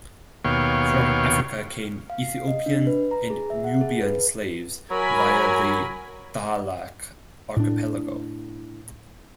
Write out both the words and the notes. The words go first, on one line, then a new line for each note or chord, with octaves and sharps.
From Africa came Ethiopian and Nubian slaves via the Dahlak Archipelago.
D#2 B2 C#5 F5 G5
F5
C7
D#5
D4
B4
A#5
G#4
E5
F#5
G#4
B4
F#3 A#4 G#5 B5
A2 D4